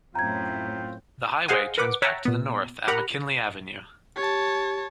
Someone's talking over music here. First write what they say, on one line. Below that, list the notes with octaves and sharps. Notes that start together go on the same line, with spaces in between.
The highway turns back to the north at McKinley Avenue.
F#2 A2 C4 F4 G5 A#5 G#6
G#4 C5 D#5 F5 F#5 G#5
A#4 B4 F#5 D6
C#5 E5 F#5 G5 A5 A#5
A#2 B3
G4 A#4 F#5 A#5 B5
G4 C#5 A5